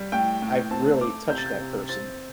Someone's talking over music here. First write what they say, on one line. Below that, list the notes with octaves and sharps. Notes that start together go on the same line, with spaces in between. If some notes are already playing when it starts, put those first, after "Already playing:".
I've really touched that person.
Already playing: G3
A2 G5
A2
C4 A5
A3 D6
C3 G6
A6
G6
C3
C4 A6